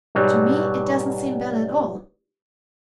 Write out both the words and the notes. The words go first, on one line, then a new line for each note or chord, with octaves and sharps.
To me, it doesn't seem bad at all.
G#2 B2 F#3 G3